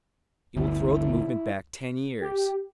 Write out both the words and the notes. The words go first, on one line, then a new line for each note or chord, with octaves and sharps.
It will throw the movement back ten years....
G1 D2 E4
G4